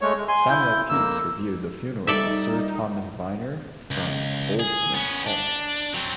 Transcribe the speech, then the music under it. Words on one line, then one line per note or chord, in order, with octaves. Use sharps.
Samuel Pepys viewed the funeral of Sir Thomas Vyner from Goldsmiths' Hall.
G#3 A3 C#5
G#3
G#5 C6
E4 G6
F2 A#3 E6
G3 D#4 A4 D5 E5
C#2
G#4
B3 C#4
D4
F#3 C4